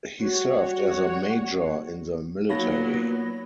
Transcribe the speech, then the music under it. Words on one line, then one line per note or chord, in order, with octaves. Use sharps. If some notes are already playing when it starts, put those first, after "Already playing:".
He served as a major in the military.
G3 F#4 C#5 F#5
A#2 F#3 B3 D#4 C#5 F5 B5 A#6